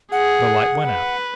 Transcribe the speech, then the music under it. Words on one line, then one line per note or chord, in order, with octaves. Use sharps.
The light went out.
G#4 F#5
B4